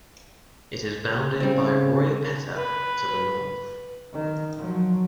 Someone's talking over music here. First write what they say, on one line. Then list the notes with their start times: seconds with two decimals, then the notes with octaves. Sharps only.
It is bounded by Royapettah to the north.
1.40 C#3 G3 C4
2.56 B4
4.13 D#3
4.56 F3 F#3